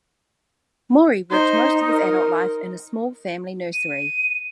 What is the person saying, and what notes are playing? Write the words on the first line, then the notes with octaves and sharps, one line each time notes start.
Mori worked most of his adult life in a small family nursery.
D#4 C5
A#4
D#7